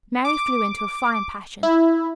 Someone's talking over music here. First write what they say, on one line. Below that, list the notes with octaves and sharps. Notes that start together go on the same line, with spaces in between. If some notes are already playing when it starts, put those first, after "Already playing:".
Mary flew into a fine passion.
D6
E4